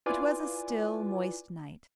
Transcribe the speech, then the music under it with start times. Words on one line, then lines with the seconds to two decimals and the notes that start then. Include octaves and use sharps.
It was a still, moist night.
0.06 E4 F4 B4 D5 G#5 D6